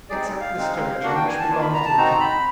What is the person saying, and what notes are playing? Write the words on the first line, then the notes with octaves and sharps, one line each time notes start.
"Except the sturgeon, which belongs to the king."
C4 D#4 G#4 D5
F5
G#3 C4 D#4
A#3 D4 F#4 F#5
G5
G#5
A5
A#3 D4 F4
B5
A#5
A5
C4 D#4 F#4 A#5
B5